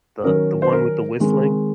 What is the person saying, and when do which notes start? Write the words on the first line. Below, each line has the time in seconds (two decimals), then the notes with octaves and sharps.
The the one with the whistling?
0.24 D#3 F#3 C#4 A#4
0.62 C5
0.73 A#4
1.20 D#3 G#3 C4